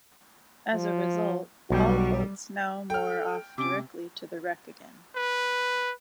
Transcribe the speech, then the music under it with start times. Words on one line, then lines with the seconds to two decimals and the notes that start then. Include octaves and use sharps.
As a result, all boats now moor off directly to the wreck again.
0.73 F3
1.70 B1 G3 F#4 G5
2.90 A4 G5 F6
3.58 C3 C#4 D6
5.16 B4